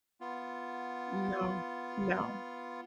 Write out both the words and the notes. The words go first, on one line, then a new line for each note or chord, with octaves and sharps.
No, no.
B3 F4